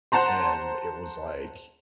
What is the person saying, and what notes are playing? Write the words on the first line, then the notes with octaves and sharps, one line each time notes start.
and it was like
C5 F#5 A5 A#5 C6